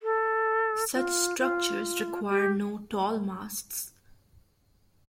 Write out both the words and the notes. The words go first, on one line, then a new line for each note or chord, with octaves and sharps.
Such structures require no tall masts.
A4
F4
F4
G4